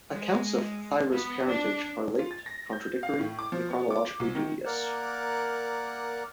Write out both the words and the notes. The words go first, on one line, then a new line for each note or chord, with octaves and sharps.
Accounts of Thyra's parentage are late, contradictory and chronologically dubious.
G#3
B3
D4
F4
A6
A#6
G6
F5
A2
D6
F3
B3
D6
C2
D#3
A#3 A#4 D5 F#5